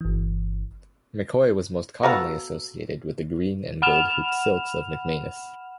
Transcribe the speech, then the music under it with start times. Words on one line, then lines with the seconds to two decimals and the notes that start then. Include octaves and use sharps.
McCoy was most commonly associated with the green and gold hooped silks of McManus.
0.01 G1 E3
2.03 B3 F#4 A4 B4 F5 A#5
3.82 F#5 B5 F6 E7 F7